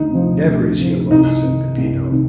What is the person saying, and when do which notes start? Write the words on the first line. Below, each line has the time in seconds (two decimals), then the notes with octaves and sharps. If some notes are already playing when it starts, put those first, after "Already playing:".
"Never is he alone," said Peppino.
Already playing: D2 D#4
0.11 C3 F3
0.44 D2
0.78 C3 F3
1.10 C2 D#4
1.44 C3 D#3
1.78 C2
2.11 C3 D#3